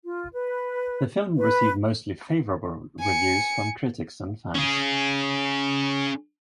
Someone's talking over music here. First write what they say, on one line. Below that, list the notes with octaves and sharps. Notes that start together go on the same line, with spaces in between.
The film received mostly favorable reviews from critics and fans.
F4
B4
B4
G#5 C#7
C#4 G#4